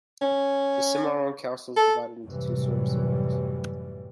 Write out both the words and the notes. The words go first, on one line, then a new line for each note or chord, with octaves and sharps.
The Cimarron Council is divided into two service areas.
C#4
A4
F#2 A2 C3 E3 G3